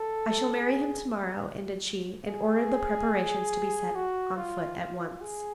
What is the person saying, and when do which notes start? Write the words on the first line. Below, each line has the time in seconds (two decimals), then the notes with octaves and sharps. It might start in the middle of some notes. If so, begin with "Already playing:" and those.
'I shall marry him to-morrow,' ended she; and ordered the preparations to be set on foot at once.
Already playing: A4
0.61 G#4
2.28 G#4
3.95 F#4
4.37 F4
4.79 F4
5.21 G#4